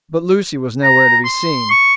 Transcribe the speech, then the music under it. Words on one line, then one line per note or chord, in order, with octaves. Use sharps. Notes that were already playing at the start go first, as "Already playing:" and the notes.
But Lucy was nowhere to be seen.
A#5
C6
C#6